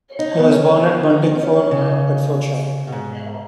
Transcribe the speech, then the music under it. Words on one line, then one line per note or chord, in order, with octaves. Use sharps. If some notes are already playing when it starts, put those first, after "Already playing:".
He was born at Buntingford, Hertfordshire.
D#4
B3
C#4
B3
D#4
D#4
C#4
C#3
B2
G#2